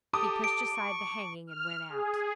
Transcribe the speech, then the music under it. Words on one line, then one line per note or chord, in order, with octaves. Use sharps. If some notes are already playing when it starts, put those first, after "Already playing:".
He pushed aside the hanging and went out.
G4 A4 A5 D6 D#6
D7
C#6
F6
G#4